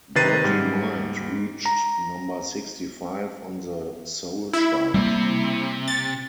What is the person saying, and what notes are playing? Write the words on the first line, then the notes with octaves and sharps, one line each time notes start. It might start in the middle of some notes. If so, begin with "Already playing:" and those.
"Dirty Mind" reached number sixty-five on the soul chart.
C3 D#3 B4 A6 C7 D#7
G#2 G3
A#5
E4
C3 G3 A3 A#3
A6